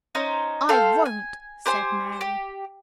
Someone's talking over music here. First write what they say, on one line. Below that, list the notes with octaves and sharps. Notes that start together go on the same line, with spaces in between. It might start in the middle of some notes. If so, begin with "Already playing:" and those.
"I won't!" said Mary.
C#4 D#4 C5
A4 C5 F5 G5
G#5
G4 C5 G#5 C6
G4